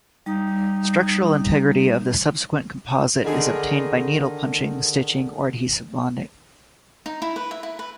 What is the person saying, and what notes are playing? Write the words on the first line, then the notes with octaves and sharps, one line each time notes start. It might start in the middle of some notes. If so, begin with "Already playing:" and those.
Structural integrity of the subsequent composite is obtained by needle-punching, stitching or adhesive bonding.
G3 D#4
D3 D#3 G#4
D#4
E4
B4
E5
E4
B4